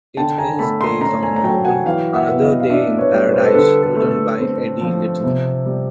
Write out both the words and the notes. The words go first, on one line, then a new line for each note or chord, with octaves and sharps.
It is based on the novel "Another Day in Paradise" written by Eddie Little.
D3 G5 A5
G#5 A#5
A3 A5 B5
A#5 C6
C#4 A#5 C6
G#5 A#5
A#5
F#3 G5 A5
F#5 G#5
E3 F5 G5
E5 F#5
B3
D#5 F5
F5
D4 D5 E5
B4 C#5
G3
B4
C5
A4 B4
D3 A4 B4
A4
A3
A4
C4
F3
C3
G3